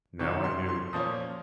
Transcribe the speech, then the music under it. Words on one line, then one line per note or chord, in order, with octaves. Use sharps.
Now I knew!
C3 D#3 F#3 C#6
C6
C6
A#2 F3 A#3 C#4 D#6